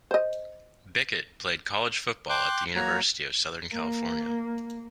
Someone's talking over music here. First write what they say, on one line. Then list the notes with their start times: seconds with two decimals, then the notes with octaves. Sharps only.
Bickett played college football at the University of Southern California.
0.11 C5 D#5
2.29 G5 C6 D6 F#6
2.76 F#3 A#3 F#4 C#5 A#5
3.73 A#3